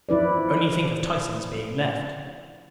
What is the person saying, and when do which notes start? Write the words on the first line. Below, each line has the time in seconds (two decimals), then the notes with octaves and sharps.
Only think of Tyson's being left!
0.09 F3 E4 B4 D5